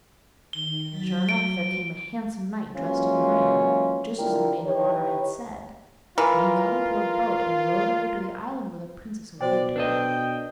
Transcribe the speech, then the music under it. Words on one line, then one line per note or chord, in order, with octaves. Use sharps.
Sure enough there came a handsome knight dressed in green, just as the maid of honour had said, and he got into a boat and rowed over to the island where the princess awaited him.
D#3 G7
F#3 A6 B6
F#3 D7
E3 F#3 G#3 A#3 C#4 F4
D3 E4 F4 G4 A#4
D#4 E4 G4 B4 C#5
E3 F4 A#4
B2 F#4 C5 D5 G5
D4 A4 B4 D5 D#5 G5